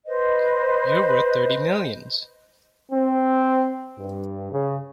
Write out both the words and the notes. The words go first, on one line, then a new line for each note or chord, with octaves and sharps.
You're worth thirty millions!
B4 C5 D#5
C4
G2
C#3